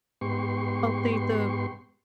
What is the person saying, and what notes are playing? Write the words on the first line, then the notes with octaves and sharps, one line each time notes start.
update the
G#2 B3 G4 C6 C#6